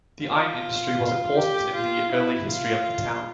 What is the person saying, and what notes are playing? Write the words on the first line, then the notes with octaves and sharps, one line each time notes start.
The iron industry was important in the early history of the town.
F4
G4
F4
E4
F4